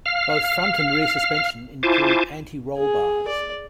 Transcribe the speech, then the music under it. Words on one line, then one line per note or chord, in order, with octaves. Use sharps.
Both front and rear suspension include anti-roll bars.
F5 F6
E4 F4 C5 G#5 A5 D6
G#4
D5